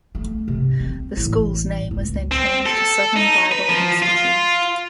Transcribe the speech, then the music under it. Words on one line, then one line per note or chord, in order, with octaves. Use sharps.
The school's name was then changed to Southern Bible Institute.
A3
C3
C4
A1
C#2
C4
A4
D#4
B4
F3
F4